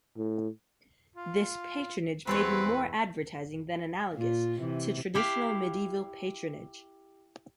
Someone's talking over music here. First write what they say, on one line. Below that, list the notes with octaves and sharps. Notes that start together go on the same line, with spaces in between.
This "patronage" may be more advertising than analogous to traditional medieval patronage.
A2
F4
E2 C4 A4 B4 C#5
A#2 F4
C3 E3
E4 G4 F5